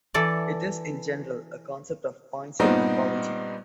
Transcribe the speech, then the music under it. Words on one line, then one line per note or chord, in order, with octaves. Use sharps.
It is in general, a concept of point-set topology.
E3 A4 D5
G2 A#2 G3 B3 C4 D#4